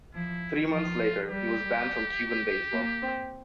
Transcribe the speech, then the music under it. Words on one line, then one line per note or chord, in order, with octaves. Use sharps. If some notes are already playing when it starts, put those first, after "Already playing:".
Three months later, he was banned from Cuban baseball.
F3 E4
F3 F4
G3 G4
A#3
C4